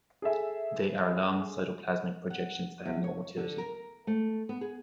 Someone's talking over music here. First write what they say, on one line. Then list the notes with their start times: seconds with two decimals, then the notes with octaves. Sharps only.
They are long cytoplasmic projections that have no motility.
0.22 G#4 A4 E5 G#5
2.30 F#5
2.85 E2
3.04 C#5
3.37 D3
3.58 A#4
4.07 A3
4.49 B3
4.61 G#4